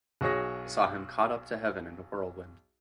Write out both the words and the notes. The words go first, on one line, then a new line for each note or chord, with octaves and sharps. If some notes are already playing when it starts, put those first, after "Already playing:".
They saw him caught up to heaven in a whirlwind.
B1 F#4 G#4 C#5 A#6